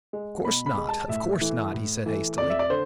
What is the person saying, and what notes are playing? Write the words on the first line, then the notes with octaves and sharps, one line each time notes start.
"Of course not--of course not!" he said hastily.
G#3
B2 B5
B5
G#3
A5
A2 E5
E3 A3
A2
E3 A3
F2 D5
E5
D5
D3 C5